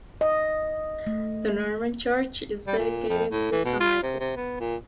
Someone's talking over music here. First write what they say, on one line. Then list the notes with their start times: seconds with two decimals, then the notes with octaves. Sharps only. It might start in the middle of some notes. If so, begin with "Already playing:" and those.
The Norman church is dedicated to Saint Michael.
0.21 D#5
1.07 A3
2.67 G3
2.78 A#2
3.09 F2
3.31 A2
3.52 E3
3.65 B2
3.80 F4
4.03 C3
4.20 C3
4.36 B3
4.60 A#2